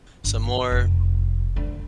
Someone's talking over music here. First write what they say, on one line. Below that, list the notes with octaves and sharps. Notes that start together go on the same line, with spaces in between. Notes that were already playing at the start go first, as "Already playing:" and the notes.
so more m
G1
F1
D2